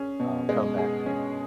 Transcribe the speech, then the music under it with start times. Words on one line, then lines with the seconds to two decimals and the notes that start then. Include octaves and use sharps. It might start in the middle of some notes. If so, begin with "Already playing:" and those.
um, come back to me.
Already playing: C#4 G#4
0.20 B2
0.49 G#3
0.78 G#4
1.06 C#4